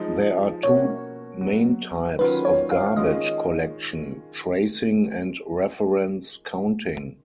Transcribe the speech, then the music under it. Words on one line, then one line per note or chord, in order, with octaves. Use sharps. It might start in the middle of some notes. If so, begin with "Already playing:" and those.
There are two main types of garbage collection: tracing and reference counting.
Already playing: F3 G#3 D#4
B2 A#3 C#4 F#4 C#5
F#3 B3 F#4
D#3 F#3 C#4 F4 B4
C#5
F5
F5
D#3 G#3 C#4 F4 D#5